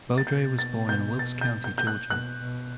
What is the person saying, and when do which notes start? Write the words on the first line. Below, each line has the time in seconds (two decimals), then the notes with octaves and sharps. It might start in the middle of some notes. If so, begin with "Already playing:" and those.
Bowdre was born in Wilkes County, Georgia.
0.18 A6
0.27 B2 G6
0.59 A6
0.89 G6
1.19 A6
1.41 G6
1.64 G6
1.78 G6
1.87 F#6
2.10 B2 F#6
2.41 B2